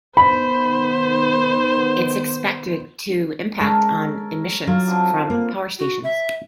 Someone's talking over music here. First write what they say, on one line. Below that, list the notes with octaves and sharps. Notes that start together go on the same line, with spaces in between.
It is expected to impact on emissions from power stations.
D#3 B3 C5 B5
G#3 C#4 A4 A#4
F#3 F4 F5
D3 C4
A#3
F#4
E5